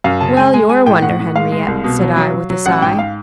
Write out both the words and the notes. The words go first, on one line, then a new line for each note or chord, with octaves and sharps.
"Well, you're a wonder, Henriette," said I, with a sigh.
F#2 F5
C#3 A5
G#3 G#5
G#3 G#5
G#3 G#5
A2 G5
A2 F#5
A2
G#3 F5
G#3
C2
B2
F#3
F#3
F#3
F#3
A1 F#5
G#2 G5
F5